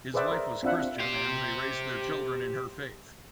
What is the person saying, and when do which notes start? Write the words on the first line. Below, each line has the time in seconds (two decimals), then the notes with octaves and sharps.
His wife was Christian, and they raised their children in her faith.
0.14 G#4 B4 C5 D5 E5 F#5
0.32 A#4
0.63 C4 D4 F4 E5 F#5
0.99 G4 C5